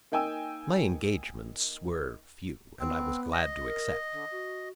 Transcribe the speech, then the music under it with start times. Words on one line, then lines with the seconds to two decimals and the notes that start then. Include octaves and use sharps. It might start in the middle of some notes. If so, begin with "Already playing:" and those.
My engagements were few, and I was glad to accept.
0.12 A#3 D#4 G5 G#5 E6
2.80 B3 C4
3.33 D#5
3.64 A#4
4.12 D3
4.31 F#4